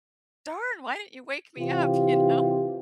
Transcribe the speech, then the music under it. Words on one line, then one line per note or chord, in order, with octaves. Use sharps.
darn! Why didn't you wake me up," you know,
C3 E3 F4 G4